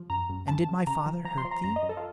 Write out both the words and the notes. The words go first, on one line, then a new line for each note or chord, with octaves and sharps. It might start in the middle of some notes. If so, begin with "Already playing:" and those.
"And did my father hurt thee?"
Already playing: F3
F#2 A#5
F#2
F#2 A5
C#3
C#3 A#5
F3
F3 A#5
C6
F3
A#5
F#2 A#5
D#5
F#2
A4
F4